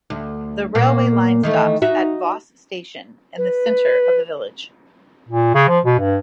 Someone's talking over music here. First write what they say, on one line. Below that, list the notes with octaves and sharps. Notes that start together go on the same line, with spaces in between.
The railway line stops at Voss Station in the centre of the village.
D2
A#2 A#3 B3
D#3 E3 A3
D#4 F#4 E5
B4
A#2
C#3
F3
B2
G2